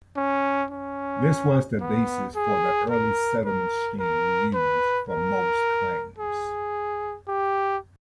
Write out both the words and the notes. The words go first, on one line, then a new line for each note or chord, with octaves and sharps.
This was the basis for the Early Settlement Scheme used for most claims.
C#4
C#4
B3
G#4
A#4
A#4
A#4
B4
A#4
G#4
G4